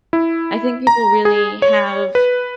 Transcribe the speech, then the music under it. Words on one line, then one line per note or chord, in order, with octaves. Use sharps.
I think people really have
E4
A#5
G#4
C#5
B4